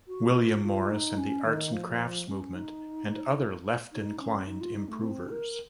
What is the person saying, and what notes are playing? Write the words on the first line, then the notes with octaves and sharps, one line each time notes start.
William Morris and the Arts and Crafts movement and other left-inclined improvers.
F#4
F4
F4
D#4
C#4
D#3
F3
C#4
D#4
D#4
C#4
D#4
F4
D#4
A3
C4
A#4